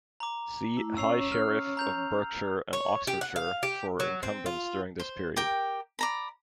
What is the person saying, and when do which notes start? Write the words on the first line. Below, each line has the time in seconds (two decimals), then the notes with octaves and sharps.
See High Sheriff of Berkshire and Oxfordshire for incumbents during this period.
0.20 A#5 D6
0.77 A3 E4
0.97 C#4 C#5 C#6 E6 C7 F7
1.32 F6
1.77 A#5 G6 F7
2.73 C#5
3.07 G4
3.21 F#5
3.36 F5
3.63 G4
4.00 F#3
4.23 C4
4.46 F4
5.00 C5
5.36 G4 A#4 G5
5.99 D5 A#5 B5